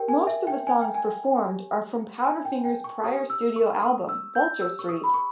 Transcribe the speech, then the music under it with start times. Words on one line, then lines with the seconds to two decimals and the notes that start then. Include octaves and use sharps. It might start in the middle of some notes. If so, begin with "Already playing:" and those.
Most of the songs performed are from Powderfinger's prior studio album; "Vulture Street".
Already playing: G4 A#4 C#5 G5
0.08 G#5
0.27 E5
0.47 G5
0.67 G#5
0.82 G5
0.94 G#5
1.46 G4 C#5
2.25 G#5
2.45 G5
2.65 G5
2.84 C#6
3.04 G4 C#5 D#6
3.30 E6
3.56 C#6
3.82 D#6
4.09 E6
4.35 G6
4.61 G4 C#5 E6
4.79 C#6
4.89 D#6
5.04 B5
5.14 C#6